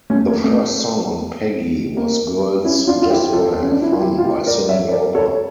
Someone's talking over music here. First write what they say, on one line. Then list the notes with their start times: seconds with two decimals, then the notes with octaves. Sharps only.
The first song on Peggy was "Girls Just Wanna Have Fun" by Cyndi Lauper.
0.10 A3 C#4
0.27 A#3
0.44 A3
1.97 A#3
2.65 C#4 E4
2.87 D4 F4
3.02 F4
3.10 E4 G4
3.24 G4
3.33 F4 A4
3.62 C#4
3.72 D4
3.82 E4
3.92 F4
4.01 E4 G4
4.18 F4
4.24 E4 G4
4.46 A#4 D5
4.69 C#5 E5
4.92 A#4 D5
5.15 A4 C#5